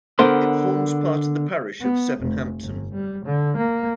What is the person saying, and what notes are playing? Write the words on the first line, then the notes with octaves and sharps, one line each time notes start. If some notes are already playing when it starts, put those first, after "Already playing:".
It forms part of the parish of Sevenhampton.
D3 B3 A#4 C5 C6
B3
F1
G1
G3
D3
A#3